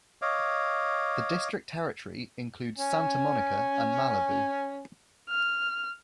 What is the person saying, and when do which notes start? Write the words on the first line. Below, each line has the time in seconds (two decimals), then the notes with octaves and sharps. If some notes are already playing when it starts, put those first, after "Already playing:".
The district territory includes Santa Monica and Malibu.
0.22 C#5 D#5 F5 D6
2.78 C#4 G#5
5.30 F6